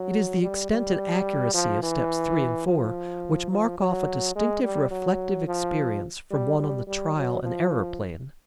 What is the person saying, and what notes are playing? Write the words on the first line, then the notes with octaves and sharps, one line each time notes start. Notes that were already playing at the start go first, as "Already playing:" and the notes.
It is the extent and accuracy of steps three and four which mark off a distinctive reflective experience from one on the trial and error plane.
Already playing: F#3
G3
G3
F3
E3
F3
F3
F#3
G#3
G3
F#3
F3
G3
G3
G3
F#3
F3